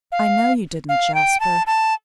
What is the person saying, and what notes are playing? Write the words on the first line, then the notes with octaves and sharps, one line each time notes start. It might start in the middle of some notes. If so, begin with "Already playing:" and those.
'I know you didn't, Jasper.
F5
F5
G5
A5
A5